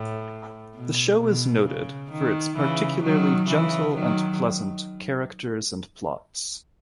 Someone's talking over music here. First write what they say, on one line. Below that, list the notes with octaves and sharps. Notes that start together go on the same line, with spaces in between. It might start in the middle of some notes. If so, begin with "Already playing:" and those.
The show is noted for its particularly gentle and pleasant characters and plots.
Already playing: A2
B2
B2
C#3
D#3
C#3 E3
D#3 F#3
C#3 E3
D#3 F#3